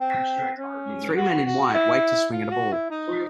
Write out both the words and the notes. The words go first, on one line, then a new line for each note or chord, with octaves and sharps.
Three men in white wait to swing at a ball.
C4
C#4
F#4
F#4
E4
F4
F#4
E4
D#4